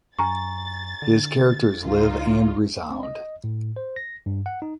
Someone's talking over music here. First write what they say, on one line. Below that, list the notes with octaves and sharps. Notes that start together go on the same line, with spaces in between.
His characters live and resound.
F#2 G#5 A#5 C#6 A6
D3
C#2 D3 D#4 F4
C4
D#5
A2
C5
A#6
G2
F#5
D#4